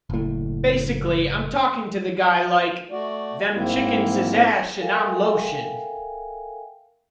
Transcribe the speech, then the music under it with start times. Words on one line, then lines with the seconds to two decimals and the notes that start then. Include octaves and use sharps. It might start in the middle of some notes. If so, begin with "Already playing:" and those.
Basically I'm talking to the guy like, 'Them chickens is ash and I'm lotion.
0.10 F#1 A2
2.91 A3 F#4 D5
3.54 G#2 A#3 C4 E4
4.79 A4 A#4 E5 F5 G5 G#5